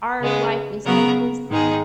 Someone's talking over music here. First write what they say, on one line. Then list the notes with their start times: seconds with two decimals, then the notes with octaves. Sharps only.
our life is so busy,
0.21 C#3 G#3 B3
0.85 C#3 F#3 B3 F#4 A#4
1.49 G#2 D#3 G#3 D#4 G#4